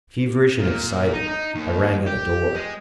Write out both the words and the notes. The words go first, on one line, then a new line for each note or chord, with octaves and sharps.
Feverish and excited, I rang at the door.
A#2
D#4
D#4
D#2
G4
G#3